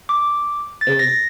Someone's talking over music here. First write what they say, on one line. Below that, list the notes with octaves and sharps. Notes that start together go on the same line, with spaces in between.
It was
D6
A6
A#6